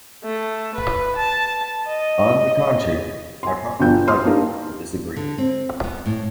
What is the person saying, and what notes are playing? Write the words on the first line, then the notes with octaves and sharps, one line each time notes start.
On the contrary, I probably liked it more for disagreeing with it.
A3
B4
A5
D#5
G#5 C6
G1 B2 F3 G5 G6
C6 D#6 F6
A#3 D4 D#4 G4 A#4
D3
C4
B3
A2